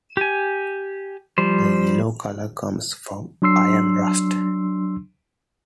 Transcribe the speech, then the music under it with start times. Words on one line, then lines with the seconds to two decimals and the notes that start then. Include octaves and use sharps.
The yellow color comes from iron rust.
0.17 G4 G#5
1.38 F3 G3 C5
3.42 F#3 D4 C6 E6 C7